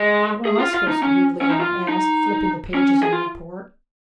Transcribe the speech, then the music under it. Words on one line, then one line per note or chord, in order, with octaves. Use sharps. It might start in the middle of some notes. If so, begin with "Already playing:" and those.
"What am I supposed to do?" Lea asked, flipping the pages of the report.
Already playing: G#3
G#4
F4
F4
D#4
C#4
C#4
D#4
F4
D#4
C#4
G#4
F4